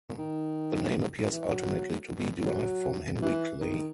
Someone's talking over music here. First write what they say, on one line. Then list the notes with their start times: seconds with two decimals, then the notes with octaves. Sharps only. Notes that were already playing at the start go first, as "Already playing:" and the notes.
The name appears ultimately to be derived from Henry Clay.
0.18 D#3
1.32 E3
1.51 F#3
2.46 F#3
3.22 E3
3.60 D#3